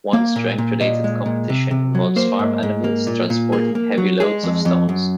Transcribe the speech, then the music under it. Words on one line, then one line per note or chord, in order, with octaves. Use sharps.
One strength-related competition involves farm animals transporting heavy loads of stones.
A#3 F5
A#2
A#2
A#2 D#5
G#3
A#2
C3
C3
F#3
A#3 C5
G#2
G#2
A#3
A#2
A#2
A#3 G#4
A#3
F#3
G#3 G#4
F2
F2
F#2